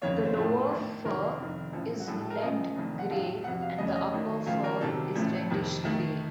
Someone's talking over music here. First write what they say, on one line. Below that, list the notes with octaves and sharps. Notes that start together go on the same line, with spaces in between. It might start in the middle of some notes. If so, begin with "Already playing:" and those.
The lower fur is lead-grey and the upper fur is reddish-grey.
F#1 F2 D#3 A#3 C#5
C5
A#1 A2 F3 A3
D#2 D#3 A3
F1 D#2 D#3 A#4
F1 F2 D#3
A1 A2 F3 A4
F#4
A#1 A2 F#3 A4
A4
A#4
C#2 C#3 F3 A3 D#5
F1 F2 D#3 A3
F#5
A#1 A2 F#3 A3 F5
F2 C3 F#3 F#5
F5
F1 F2 C#3 A3 D#5
C#5
D#5
D#2 D#3 F#3 A3
D#2 C#3 F3 A3 F5
A#4
C2 C3 D#3 F#3 A4
A1 A2 F3 A3
F2 C3 D#3
D#2 D#3 A3